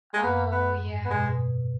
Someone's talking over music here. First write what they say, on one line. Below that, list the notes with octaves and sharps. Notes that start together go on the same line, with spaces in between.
Oh, yeah.
G#3
F#2 B3
B3
G#2
B3
B2 G#3
B2